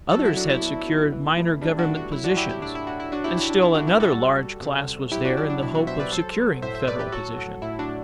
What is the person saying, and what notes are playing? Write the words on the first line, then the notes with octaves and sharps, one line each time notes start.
Others had secured minor government positions, and still another large class was there in the hope of securing Federal positions.
F#3 F#4 A4
E4
F#3 D4 F#4
E4
B2 E4
B2
E3
A2
G3 D4
D4 F#4
A2
D4 F#4
F#3 E4
D4 F#4
F#3 E4 G4
E4 G4
A2 D4
E4
A2 D4 F#4
E4
F#3 D4 F#4
E4 G4
F#3 E4
D4
B2 E4
D4 F#4
B2 E4 G4
F#4 A4
G3
G3
C3
C3
F#3 E4 G4
D4 F#4
F#3 D4
D4
B2 E4
D4 F#4
B2 C5 E5
B4 D5
F#3 A4 C5
F#3
A2 C5 E5
C5 E5
A2 B4 D5
G4 B4
F#3 F#4 A4
F#3
A2 E4
D4 F#4
A2